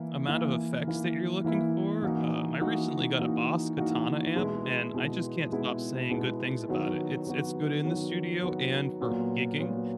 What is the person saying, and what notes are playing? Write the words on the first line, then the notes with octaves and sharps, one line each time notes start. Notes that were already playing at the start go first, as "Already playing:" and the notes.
amount of effects that you're looking for, um, I recently got a Boss Katana amp, and I just can't stop saying good things about it. It's it's good in the studio and for gigging,
Already playing: E3 A#3 E4
E3 A#3 E4
E3 A#3 E4
E3 A#3 E4
E3 A#3 D#4 F#4
E3 A#3 D#4 F#4
E3 A#3 D#4 F#4
E3 A#3 D#4 F#4
B2 G#3 B3 E4
B2 G#3 B3 E4
B2 G#3 B3 E4
B2 G#3 B3 E4
D#3 F#3 B3 F#4
D#3 F#3 B3 F#4
D#3 F#3 B3 F#4
D#3 F#3 B3 F#4
A#2 F#3 B3
A#2 F#3 B3